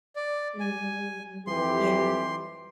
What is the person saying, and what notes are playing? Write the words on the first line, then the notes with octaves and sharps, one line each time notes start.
Mhm. Yeah.
D5
G#5
F2 E3 G4 C6